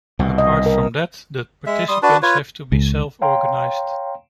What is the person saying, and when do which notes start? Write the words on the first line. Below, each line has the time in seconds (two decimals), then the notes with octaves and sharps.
Apart from that, the participants have to be self organized.
0.19 C2 B2
0.38 D#5
0.66 A#4
1.66 G#3 E5
1.88 G3 C6 D#6
2.03 D4 F#4 B4 A5
2.22 F4 B4 C#5
2.72 C#2
3.22 C#5 F5 G5 A#5 C6